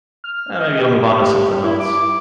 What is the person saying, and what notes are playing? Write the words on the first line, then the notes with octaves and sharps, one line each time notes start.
"Eh, maybe I'll move on to something else."
F6
D#5
G4
E4
D6